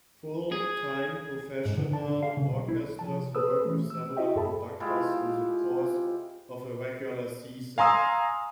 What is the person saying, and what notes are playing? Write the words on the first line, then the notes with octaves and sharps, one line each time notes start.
Full-time professional orchestras work with several conductors through the course of a regular season.
G#4
G#2
D3
A5
D3
F5
C#3
B1
E4
C3 F3 A5
G#4 A4 B4 C5 D#6 E6
E3 A3 C#4
E6
E4 F#4 D#5 E5 G5
F#2 G#4 A4 A5 B5
G#3 E4 F4 G4
F5 G#5 A#5 C6 D#6 E6